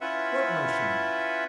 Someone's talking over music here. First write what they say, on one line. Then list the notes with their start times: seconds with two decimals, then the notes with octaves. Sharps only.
"What notion?"
0.01 C#4 E4 F4 B4 E5 F#5